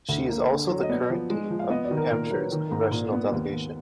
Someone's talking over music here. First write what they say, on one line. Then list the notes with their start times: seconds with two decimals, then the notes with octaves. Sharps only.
She is also the current dean of New Hampshire's Congressional Delegation.
0.09 D2
0.29 A#3
0.49 D3
0.70 F#3
0.83 D#5
0.90 B3 D5
1.10 F3
1.30 G#3
1.50 F3
1.59 F5
1.70 B3 D#5
1.85 D5
1.91 D#3
1.97 A#4
2.11 A#2 A#4
2.26 A#4
2.31 F#3 B4
2.52 D#3
2.71 G#2 A#5
2.91 A#2
3.12 B3
3.32 D#2
3.52 D#2